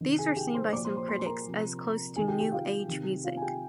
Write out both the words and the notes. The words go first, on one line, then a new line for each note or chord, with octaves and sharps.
These were seen by some critics as close to New Age music.
C3 D#3
G#4 G#5
G4 G5
C5 C6
A#2 F3 D5 D6
C5 C6
C5 C6
C5 C6
C6
A#4 A#5
C3 F3
C3 D#3 G#4 G#5
G4 G5
G4 G5
F4 F5
C3 D#3
F4 F5
G#5
G4 G5